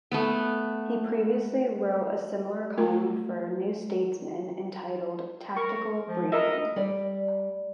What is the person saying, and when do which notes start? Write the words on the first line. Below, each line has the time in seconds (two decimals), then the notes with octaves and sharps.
He previously wrote a similar column for "New Statesman", entitled 'Tactical Briefing'.
0.12 A3 B3
2.78 A3 F4 A#4
5.57 A#4 C#6
6.08 F3
6.32 A#4 D#5 E5
6.76 G3 D5